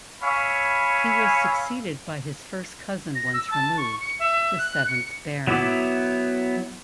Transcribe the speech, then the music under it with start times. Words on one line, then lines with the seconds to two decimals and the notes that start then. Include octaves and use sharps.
He was succeeded by his first cousin once removed, the seventh Baron.
0.22 C#5 E5 F5 G#5 B5
3.15 A#6
3.34 E6
3.51 A5
3.77 C#6
4.00 C#7
4.19 E5
4.58 F#6
4.87 C#7
5.47 F#3 B3 E4 E5 D6